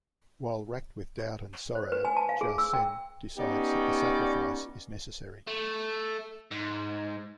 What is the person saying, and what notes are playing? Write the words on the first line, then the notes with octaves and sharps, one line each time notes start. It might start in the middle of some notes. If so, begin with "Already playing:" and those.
While wracked with doubt and sorrow, Jacen decides that the sacrifice is necessary.
C5
B4
G#5
A5
F5
G#4
E6
G5
B3 C#4 D#4 G4 D5
A3
G#2